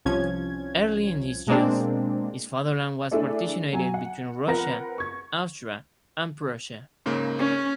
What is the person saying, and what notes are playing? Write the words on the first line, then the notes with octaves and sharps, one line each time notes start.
Early in his youth his fatherland was partitioned between Russia, Austria and Prussia.
C2 F3 C#4 G#6
B2 G#3 A#3 C4 D4
A3 D4 E4 G#4 A4 D5
F#3 G#5
F#5
F3 C4 A#4 B4 F#5 A#6
C#6 G#6
G#2 C#3 A#3
C#4